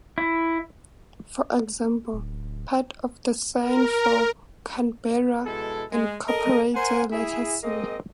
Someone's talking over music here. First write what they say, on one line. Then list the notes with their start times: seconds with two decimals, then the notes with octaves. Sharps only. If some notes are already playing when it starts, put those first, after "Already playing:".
For example, part of the sign for "Canberra" incorporates the letter "C".
0.18 E4
2.13 D1
3.59 A#4
5.45 B2 G#3 E4 A4
5.91 G#3
6.27 A4 A#4 D#5
6.74 A#4 C5 F#5 G#5
7.11 E4 G#4
7.63 G#3 A#3 C4 D#5